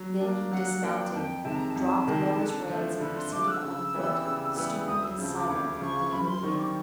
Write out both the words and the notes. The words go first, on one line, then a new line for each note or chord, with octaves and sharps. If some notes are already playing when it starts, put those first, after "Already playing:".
Then he dismounted, dropped the roan's reins, and proceeded on foot, stooping and silent, like an Indian.
Already playing: F#3
A#3 D4
F#3 F#5
A#3 D4 G5
F2 G5 A5
C3 D#3 G#3 A5
A#5
A#5
A5
F2
C3 D#3 G#3
D3
F3 A3
D3 B5
C6
F3 A3 D6
F#6
E6
C#3
E3 G3 B3
C#3
E3 G3 B3
D2 D#6
E6
C#3 F3
D6
D2 D6
C#3 F3 C#6
F#2 B5
C6
D#3 G3 C4 C#6
D6
C#6